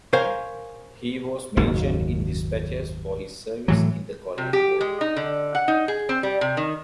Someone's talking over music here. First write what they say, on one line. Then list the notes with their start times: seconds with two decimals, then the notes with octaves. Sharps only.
He was mentioned in dispatches for his service in the Korean War.
0.13 A#4 C5 C#5 F5 G#5
1.57 F#1 D#2 G#2 D#3
3.68 A2 E3 F#3
4.38 C3
4.53 G4
4.81 G#3
5.01 D#4
5.16 D3
5.55 F#5
5.68 D#4
5.88 G#4
6.09 C4
6.23 G3
6.41 C3
6.57 D#3